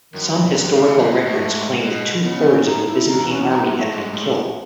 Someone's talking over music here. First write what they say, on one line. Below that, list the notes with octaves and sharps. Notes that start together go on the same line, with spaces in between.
Some historical records claim that two thirds of the Byzantine army had been killed.
F#2 D#3
E3
F#3
F#2 D#3
A2
F#3
C#3
B2 F#3
B2 G#3
A2 A3
G#2
B2 G#3
C#3 B3
C#4
A2 D#4
E4
E2 D#4
B3
C#4
F#2 D#4
B3
A3
G#2 G#3
A2